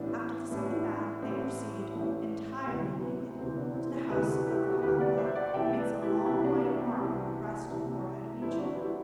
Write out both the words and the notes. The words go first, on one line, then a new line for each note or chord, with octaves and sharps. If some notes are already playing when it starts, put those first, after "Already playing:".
After the second bath they proceed, entirely naked, to the house of Kalamba, who makes a long white mark on the breast and forehead of each of them.
Already playing: A1 A2 E3 B3 D4
A1 A2 E3
A1 A2 E3 C4
A1 A2 E3
D2 C3 E3 B3
C4
B3
B3
C4
D2 C3 E3 C4
B3 D4
C4 E4
C4 E4
D2 C3 E3 G4 B4
F#4 A4
E4 G4
F#4 A4
D2 C3 E3 G4 B4
D5 F#5
C5 E5
D5 F#5
C2 C3 E3 E5 G5
B4 D5
E4 G4
C2 C3 E3 E4 G4
D4 F#4
B3 D4
C4
C2 C3 E3
C2 C3 E3
G1 G2 E3 C4 E4
D4 F#4
E4 G4